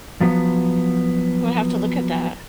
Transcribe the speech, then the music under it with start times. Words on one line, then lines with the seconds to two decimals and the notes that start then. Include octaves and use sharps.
I'm gonna have to look at that.
0.21 F3 F#3 B3